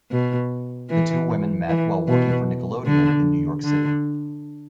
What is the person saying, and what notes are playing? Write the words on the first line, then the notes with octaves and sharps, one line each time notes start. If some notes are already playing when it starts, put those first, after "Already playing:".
The two women met while working for Nickelodeon in New York City.
B2
E3
E3
B2
D3
D3